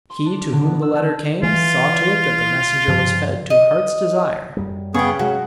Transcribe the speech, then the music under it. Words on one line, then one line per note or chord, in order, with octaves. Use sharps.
He to whom the letter came, saw to it that the messenger was fed to heart's desire.
C6
D4
D7
D3
B3
E6
A5
E3 F4
G2 C#3 F3
D#5
F#2 G3
C#3 B3 G#4 G5 C#6
C3 F#3 G#3 F#4